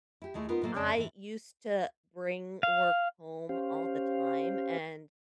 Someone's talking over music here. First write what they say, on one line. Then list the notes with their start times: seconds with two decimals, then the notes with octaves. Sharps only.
I used to bring work home all the time, and
0.22 E4 G4
0.34 D#2 G#3 A3 E4
0.49 B3 D#4 F4 A#4 B4
0.61 A2 F#3 G#3 A#3 A4 C5
0.74 F2 C#3 C#5 D5 A5
0.95 G#2 E3
2.63 F5
3.49 C#4 G4 C5 F5